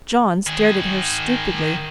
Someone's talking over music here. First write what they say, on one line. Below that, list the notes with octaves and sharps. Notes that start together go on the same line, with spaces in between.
John stared at her stupidly.
D#3 G#4